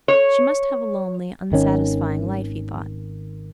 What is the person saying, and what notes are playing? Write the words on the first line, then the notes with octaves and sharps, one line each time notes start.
She must have a lonely, unsatisfying life, he thought.
C#5
G#1 D#3 C#4